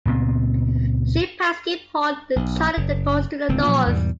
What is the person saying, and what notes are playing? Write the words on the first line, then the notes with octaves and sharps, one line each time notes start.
The ship passed Cape Horn, then charted a course to the north.
C#2 A#2 B3 C4
B1
F#1
D1 C#2 C4
A#2 F3 F#3
E2 G#2 B2 G3